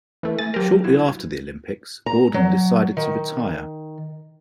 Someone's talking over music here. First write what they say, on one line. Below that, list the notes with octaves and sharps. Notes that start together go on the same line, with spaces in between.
Shortly after the Olympics Bordin decided to retire.
E3 A3
A3 G#5 A6
F#3 G4 A#4 C5
C2 E4 F#4
A#5
F#3
D#3